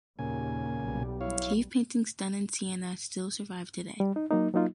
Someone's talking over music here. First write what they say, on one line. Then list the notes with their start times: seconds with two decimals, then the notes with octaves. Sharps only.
Cave paintings done in sienna still survive today.
0.19 D#2 A#2 C#3 G#5
0.84 B1 G3
1.21 E4 C#5 F5
4.00 G3
4.16 D#4
4.31 F#3 A#3 D#4
4.54 F#3 A#3 D#4 F4